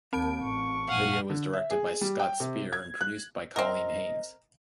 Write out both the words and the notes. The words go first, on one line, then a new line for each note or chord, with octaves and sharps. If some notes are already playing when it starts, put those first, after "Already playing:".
The video was directed by Scott Speer and produced by Coleen Haynes.
D#2 C4 A5 D7
A1 C#6
A#1 F#2 F5 F#5 G#5
D3
E5
G#4
G3
G5
C3
G#6
F#6
C4 A#4 D#5